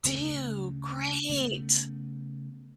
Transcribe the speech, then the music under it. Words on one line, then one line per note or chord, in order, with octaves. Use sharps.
Do you? Great!
D2 C#3 A3
C#3 A3 B3